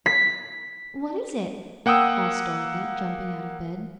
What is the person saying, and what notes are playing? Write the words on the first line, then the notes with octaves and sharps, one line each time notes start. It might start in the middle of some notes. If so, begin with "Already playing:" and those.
"What is it?" asked Dorothy, jumping out of bed.
B6
A#3 F#5 G5 D#6 E6